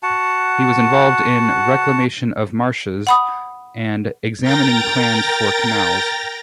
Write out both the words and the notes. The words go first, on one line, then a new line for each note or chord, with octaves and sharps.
He was involved in reclamation of marshes and examining plans for canals.
F#4 F#5 A5
F#5 B5 D#6
A#4 G5 A#5 A6 A#6